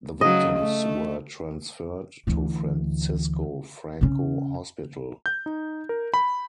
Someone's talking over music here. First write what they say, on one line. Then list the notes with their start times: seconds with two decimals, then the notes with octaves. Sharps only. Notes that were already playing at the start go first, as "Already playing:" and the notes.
The victims were transferred to Francisco Franco Hospital.
0.21 C#3 F#3 D#5
0.59 A3
2.27 D2 E3
4.01 C#3 C#4
5.26 G6
5.46 D#4
5.89 A#4
6.14 B5